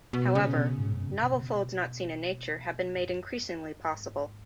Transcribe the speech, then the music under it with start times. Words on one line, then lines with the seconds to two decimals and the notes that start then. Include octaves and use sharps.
However, novel folds not seen in nature have been made increasingly possible.
0.13 B2
0.35 C#3
0.57 B2
0.78 G#2
0.93 F#2
1.07 C#3
1.22 B2
2.96 F#2
3.82 G#2